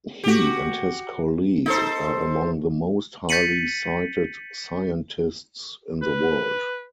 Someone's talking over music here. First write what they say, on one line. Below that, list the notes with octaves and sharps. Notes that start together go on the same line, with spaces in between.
He and his colleague are among the most highly cited scientists in the world.
F#4 G4
D#4 A4 C5
G6 A6 B6 C#7 D#7 F#7
B4